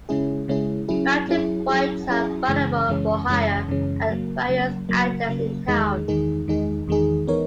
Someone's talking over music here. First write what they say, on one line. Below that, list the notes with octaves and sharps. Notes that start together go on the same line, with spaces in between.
Mountain bikes are available for hire at various outlets in town.
C#3 G#3 C#4 E4 G#4
C#3 G#3 C#4 E4 G#4
F#3 C#4 E4 G#4
F#3 C#4 E4 G#4
F#3 C#4 E4 G#4
F#3 C#4 E4 G#4
F#2 C#3 E3 G#3 C#4
F#2 C#3 E3 G#3 C#4
F#2 C#3 E3 G#3 C#4
F#2 C#3 E3 G#3 C#4
C#3 F#3 A#3
C#3 F#3 A#3
C#3 F#3 A#3
C#3 F#3 A#3
E2 D#3 G#3 D#4 G#4
E2 D#3 G#3 D#4 G#4
E2 D#3 G#3 D#4 G#4
E2 D#3 G#3 D#4 G#4
E3 B3 D#4 A#4 C#5